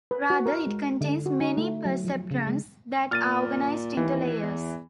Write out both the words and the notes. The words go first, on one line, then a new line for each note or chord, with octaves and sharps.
Rather, it contains many perceptrons that are organized into layers.
B4
F#4
A#4
G#3
D3
F#4
D#4
A3
F#3
F3
C#3
G#3
A#2 F6 A6 D#7
D#2 E3
E2